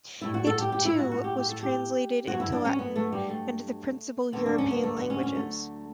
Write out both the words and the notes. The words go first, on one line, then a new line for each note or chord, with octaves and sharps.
It, too, was translated into Latin and the principal European languages.
A2 G3 E4
F#4
A4
G4
G4
E4
F#4
F#4
G4
G4
A4
G4
G2 F#3 F#4
E4
D4
C#4
B3
A3
G3
A3
D2 D3 F#3 B3
D4
C#4
B3
A3
B3
C#4
C#4
A3